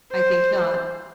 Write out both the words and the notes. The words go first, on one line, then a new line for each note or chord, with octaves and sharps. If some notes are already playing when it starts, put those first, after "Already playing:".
"I think not."
C5